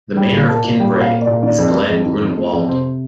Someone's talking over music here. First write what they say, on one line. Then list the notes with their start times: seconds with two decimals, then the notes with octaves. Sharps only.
The mayor of Kinbrae is Glen Grunewald.
0.17 G3 G5
0.32 A#2
0.48 A#3 A5
0.64 A#2
0.80 G3 G5
0.96 A#2 F5
1.12 A#3
1.22 D5
1.27 A#2
1.43 D#3 D5
1.59 F2
1.74 A3
1.90 F2
2.06 D#3
2.21 F2
2.37 A3
2.53 F2
2.68 C3 C5